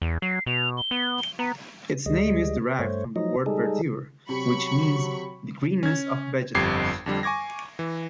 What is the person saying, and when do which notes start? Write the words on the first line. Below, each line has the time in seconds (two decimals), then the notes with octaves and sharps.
Its name is derived from the word "verdure", which means the greenness of vegetables.
0.02 E2
0.22 F#3 C7
0.46 B2 F7
0.77 G7
0.91 B3
1.39 B3 A#5
2.06 D2 G3 G#3 D#5
2.79 G2 A3 C5 C#5
3.16 F3 F#3 D#4 D#5
3.46 G3 G#3 D#4 G#4 A4
4.29 C3 F#3 B5 C#6
5.83 C#4 G#6
6.55 G1 F2 G4 G#6 C7
7.06 F2 D3 G3
7.23 G#5 C#6 D6 G#6 A#6
7.79 E3